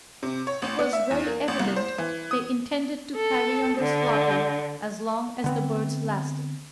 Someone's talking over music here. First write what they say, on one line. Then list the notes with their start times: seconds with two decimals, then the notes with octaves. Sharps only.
It was very evident they intended to carry on their slaughter as long as the birds lasted.
0.23 C3
0.47 C#5
0.62 A1
0.79 B3
0.93 E5
1.11 E2
1.27 A#3
1.48 A1
1.59 C2
1.76 C5
1.98 E3
2.31 D#6
3.16 A4
3.78 D3
5.44 D3 B3 C4